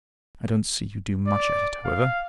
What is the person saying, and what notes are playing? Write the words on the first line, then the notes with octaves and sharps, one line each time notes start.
I don't see you do much at it, however.
D5
F5